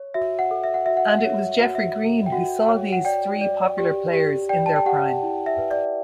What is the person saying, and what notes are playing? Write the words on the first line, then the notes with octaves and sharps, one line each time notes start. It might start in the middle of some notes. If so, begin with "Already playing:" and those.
And it was Geoffrey Green who saw these three popular players in their prime.
Already playing: C#5
F#4 E5
F#5
A4
E5
F#5
F#4 E5
F#5
E5
F#5
C#5
E5
F#5
E5
F#4 F#5
E5
A4
G5
F#4 F#5
C#5
F#5
D5 G5
D5
G4
G4
D5 G5
A5
G5
G4 F#5
E4
E5
B4
D5